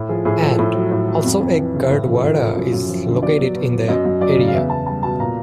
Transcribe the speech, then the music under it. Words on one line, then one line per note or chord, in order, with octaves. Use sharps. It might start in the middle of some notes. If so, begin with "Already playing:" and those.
And, also a Gurdwara is located in the area.
Already playing: A2
F3 G#4
A2 G#4
F3 A4
A2
F#3
A2
F#3
F2
F2
E3
C#3
A2 G#4
F3
A4
A2
A#4
F3
F#2
F#2
F3
D3
B2 D5
F#3
B2
F#3
F#2 D#5
F#2
F#3 D5
C#3
F5
E2 E5
E2 A5
G3 A5
B2 A5
A#2 A#5